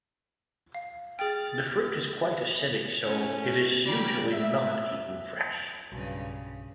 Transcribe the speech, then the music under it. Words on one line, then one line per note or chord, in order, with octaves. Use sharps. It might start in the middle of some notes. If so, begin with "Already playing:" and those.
The fruit is quite acidic, so it is usually not eaten fresh.
F5
G#4 G5 F6 A6
A3 C#4 E4
B3 C#4 G4 D5 A#5 B5
E5
B1 G2 C#3